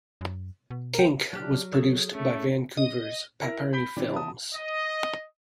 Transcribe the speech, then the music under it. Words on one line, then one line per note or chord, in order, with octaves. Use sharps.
"KinK" was produced by Vancouver's Paperny Films.
F#2
B2
A#4 G5
F#3 D4 G4 F6
G#4 A4 C#5
A3 C#4
D#5
E4 A#4 A#6
B5 G6 B6 D7 G7
C3 E3 C4 D4
A5 D#6
D#5